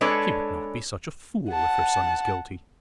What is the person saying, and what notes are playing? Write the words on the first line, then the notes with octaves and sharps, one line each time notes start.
"She would not be such a fool, if her son is guilty."
G#3 D4 A4 B4 C#5 D5
F#5 A5